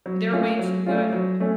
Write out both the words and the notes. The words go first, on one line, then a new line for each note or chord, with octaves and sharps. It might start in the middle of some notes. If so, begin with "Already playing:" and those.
They're way too good.
F#3
A3 C#4 F4
F#3
A3 C#4 F4
F#3
A3 C#4